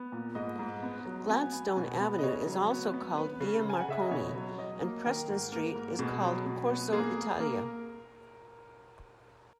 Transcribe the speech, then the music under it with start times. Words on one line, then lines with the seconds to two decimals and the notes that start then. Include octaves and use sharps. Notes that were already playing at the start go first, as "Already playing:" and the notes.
Gladstone Avenue is also called "Via Marconi", and Preston Street is called "Corso Italia".
Already playing: B3
0.12 A#2
0.35 G#2 D#5
0.59 G#2
0.83 B3
1.05 F#3
1.30 B3 G#5
1.53 B3
1.77 B2
2.00 B3
2.19 D#5
2.23 C#3 C#5
2.46 F#3
2.70 B3
2.94 B3
3.17 B3 B4
3.40 C#3
3.65 C#3 G#5
3.81 F#5
3.88 C#3 E5
4.01 D#5
4.11 B2 C#5
4.35 F#3
4.58 F#3 D#5
4.82 A#3
5.05 D#3 A#4
5.29 G#2
5.52 A#3 A#4
5.75 G#2
5.99 B2 G#4
6.23 F#3
6.46 B2
6.70 B3
6.93 A#3 G#4
7.17 A#3
7.40 A#3 A#4